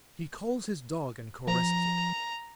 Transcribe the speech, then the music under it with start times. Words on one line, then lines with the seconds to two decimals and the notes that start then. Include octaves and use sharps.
He calls his dog and caresses it.
1.47 F3 A#5